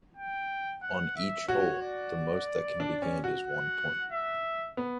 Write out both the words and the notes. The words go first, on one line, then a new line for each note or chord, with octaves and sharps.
On each hole, the most that can be gained is one point.
G5
F#5
E5
F#4 C#5
D5
D4
C#4
F#4
F#5
E5
B3